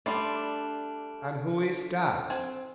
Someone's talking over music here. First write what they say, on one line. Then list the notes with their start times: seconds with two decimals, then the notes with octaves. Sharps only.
And who is that?
0.06 G3 A3 D4 D5 G5 B5 C6 C7
2.30 C4 G#5